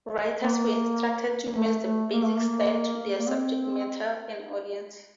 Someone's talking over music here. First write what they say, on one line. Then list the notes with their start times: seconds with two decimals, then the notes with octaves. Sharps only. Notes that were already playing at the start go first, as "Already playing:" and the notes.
Writers were instructed to match the basic style to their subject matter and audience.
0.40 A#3
1.54 A3
1.83 A3
2.12 A#3
2.25 A3
2.38 A#3
3.19 A#3
3.27 C4